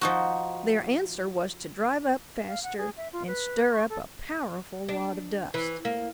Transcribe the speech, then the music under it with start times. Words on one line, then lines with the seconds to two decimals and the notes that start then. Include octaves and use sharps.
Their answer was to drive up faster and stir up a powerful lot of dust.
0.01 F3 D#4 F#4
2.46 F5
2.63 F#5
2.78 G#4
2.97 E5
3.13 F4
3.27 B4
3.72 C#6
3.89 A4
4.89 D4
5.54 E3
5.85 A#3